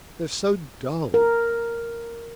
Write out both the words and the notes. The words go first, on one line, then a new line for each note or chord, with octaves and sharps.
"They're so dull."
A#4